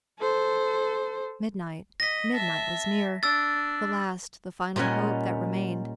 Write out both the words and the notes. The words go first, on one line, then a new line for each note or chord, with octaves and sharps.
Midnight--midnight was near, the last, the final hope that remained.
A4 C5
D#5 A#6 B6
E5 A5
D4 E6 A6
A#2 G3 C#4 D#5 F#5 G#5